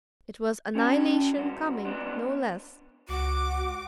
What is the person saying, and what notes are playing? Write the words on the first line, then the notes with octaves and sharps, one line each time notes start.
It was annihilation coming--no less.
C#4 F#4 D5 G5 A5
G2 F#4
B3 C4 D4
C#2 F#4 D6